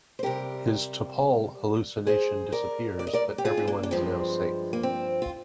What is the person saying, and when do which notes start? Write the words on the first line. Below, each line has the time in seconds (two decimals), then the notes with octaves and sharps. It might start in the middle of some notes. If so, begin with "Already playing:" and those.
His T'Pol hallucination disappears, but everyone is now safe.
0.19 C5
0.23 C3 G3 G4 A#4
2.07 G#4 C5
2.52 A#4 D5
2.99 D5
3.07 D#5
3.13 A#4 D5
3.38 G4
3.45 F4 G#4
3.57 C4
3.67 A#3 D4
3.83 D4
3.91 G2 F3 G#3 C4
4.73 A#3
4.83 C4
5.22 F4